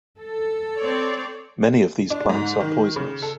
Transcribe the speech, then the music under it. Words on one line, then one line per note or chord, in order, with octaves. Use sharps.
Many of these plants are poisonous.
A4
C4 C#5 D5
D4
G#2
D#3
C#3
A4